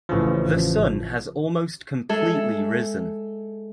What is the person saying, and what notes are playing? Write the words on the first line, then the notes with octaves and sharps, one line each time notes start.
The sun has almost completely risen.
A1 C#3 E3 F3
G#3 G#4 A4 E5